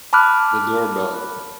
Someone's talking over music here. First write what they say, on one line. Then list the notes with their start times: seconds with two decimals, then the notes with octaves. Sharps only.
The door bell.
0.13 A5 B5 D6 F6 F#6